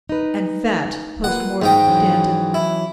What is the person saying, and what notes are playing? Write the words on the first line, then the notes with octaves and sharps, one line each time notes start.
And fat, postmortem, Danton.
D#4 B4
A#3 F4 B4 F#5
G#2 D#4 G5
E3 F#3 C#4
E4